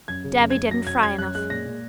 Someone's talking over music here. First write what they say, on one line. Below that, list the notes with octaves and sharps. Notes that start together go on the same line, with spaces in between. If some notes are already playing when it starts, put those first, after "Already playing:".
Debby didn't fry enuff.
F#2 G#6
C#3
F#2
F#2 G#6
F#3 A#6
F#2 G#6
F#2 G#6
F#2 F#6
G#3 F#6
A#2 A#6
A#2